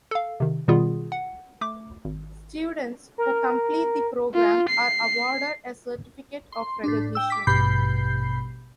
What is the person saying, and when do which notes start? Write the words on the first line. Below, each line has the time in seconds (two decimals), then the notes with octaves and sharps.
Students who complete the program are awarded a certificate of recognition.
0.11 A4 F5
0.40 C3 D#3
0.68 B2 D#3 G3 B3 F4 G#4
1.12 F#5
1.61 A3 D6
2.05 G#1
3.18 A#4
4.34 F4
4.70 C7
6.52 C6
6.84 A2 D4
7.15 G5 E6
7.30 D6 B6
7.47 A1 G2 B2 B5 G6 C7